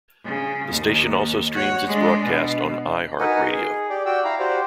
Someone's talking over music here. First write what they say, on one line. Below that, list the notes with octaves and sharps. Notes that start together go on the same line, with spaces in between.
The station also streams its broadcast on iHeartRadio.
C#3
D#2
F#4 C#5
G#3 D4
B2
D#4 F#4 A#4 B4 F#5 G#5
G#4
G4 D5
F#4 D5 G5 E6
E4 F5 A#5
F#4 G4 C5 D5